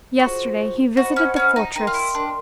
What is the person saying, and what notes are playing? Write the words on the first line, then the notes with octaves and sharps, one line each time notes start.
Yesterday he visited the fortress.
F4 F#4 G#4 C5
F#4 C5 D#5 F#5 B5
C#4
C#4
D#4
D#4 A#4 D#5 G5 C6
F4
E4
D4